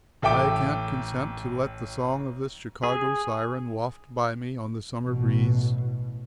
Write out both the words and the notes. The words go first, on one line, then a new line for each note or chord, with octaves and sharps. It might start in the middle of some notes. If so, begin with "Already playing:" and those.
'I can't consent to let the song of this Chicago siren waft by me on the summer breeze.
A1 A4 E5 G5 D6
G#4
A1 B2